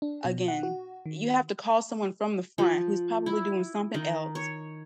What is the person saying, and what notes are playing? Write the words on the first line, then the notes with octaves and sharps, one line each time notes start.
again, you have to call someone from the front who's probably doing something else
D4
B2
F#5
F#4
D#3
F3
E4
D#3
C#5